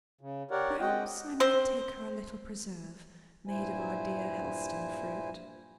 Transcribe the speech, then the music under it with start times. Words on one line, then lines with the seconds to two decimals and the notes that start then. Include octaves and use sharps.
Perhaps, I might take her a little preserve, made of our dear Helstone fruit.
0.21 C#3
0.51 G4 A#4 C#5 D5 F#5
0.80 G#3 C4 D#5 F#5 G5
1.40 C4 C5
3.47 G2 A#2 E4 C5 G#5